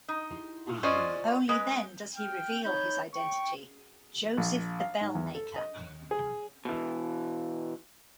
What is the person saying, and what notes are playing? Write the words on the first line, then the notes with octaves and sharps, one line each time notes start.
Only then does he reveal his identity: Joseph the Bellmaker!
D#4
C#4 F4 C5 D5 D#5
G#3 B4
G5 F6
D#4 C#5 B5 G6
G5 C#6
A#1
F5
G#2
E2
A4
D#5
G#4
B2 E3